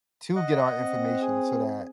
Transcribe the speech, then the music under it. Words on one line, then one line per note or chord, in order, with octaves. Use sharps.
to get our information, so, that
D#5 F#5
C4
G#4